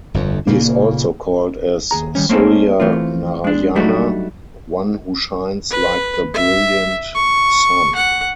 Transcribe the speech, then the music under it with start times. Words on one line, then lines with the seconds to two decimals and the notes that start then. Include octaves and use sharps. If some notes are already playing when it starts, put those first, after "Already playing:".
He is also called as "Surya Narayana", one who shines like the brilliant sun.
0.14 G1 F2
0.47 A#2 C#3 A#3
1.91 D#2 G#4 A#5
2.15 D#3 G3 C#4
2.29 A3 A#3 C4 C#4 D#4 A4
2.80 E3 A3 C4 F4
3.44 G#3 D4
3.75 F#3 G3 A3 D4 D#4 F#4
5.71 B4
6.34 E5
7.15 C#6
7.95 F#5